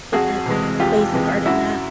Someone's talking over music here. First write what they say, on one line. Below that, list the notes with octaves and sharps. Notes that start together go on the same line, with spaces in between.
different plays a part in that.
F2 F#4 G#4
C3 E3 G#3
F2 F4 G4
C3 E3 G#3
F#2 E4 F#4